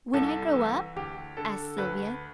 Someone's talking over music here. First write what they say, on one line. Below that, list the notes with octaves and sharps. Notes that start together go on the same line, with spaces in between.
"When I grow up?" asked Sylvia.
C2 A4
E3
D2 G4
D3 A4
D2 B4